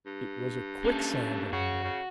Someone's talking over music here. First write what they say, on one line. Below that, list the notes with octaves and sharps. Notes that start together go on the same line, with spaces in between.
It was a quicksand of a bed.
G2
A#3 C#4 A4
F#2 C#3 F#4
C#3